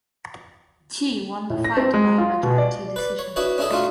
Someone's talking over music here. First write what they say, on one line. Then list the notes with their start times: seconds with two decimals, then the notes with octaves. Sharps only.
Qi won the fight by majority decision.
1.50 A2
1.64 A#6
1.77 C4
1.94 G#3
2.18 F4
2.43 B2
2.58 D5
2.96 B4 D5
3.19 C#5
3.36 D4 E4 F#4 B4 C#5 D#5
3.58 C#4 D4 E4 G#4 A4 D#5
3.70 A3 D4 D#4 F4 F#4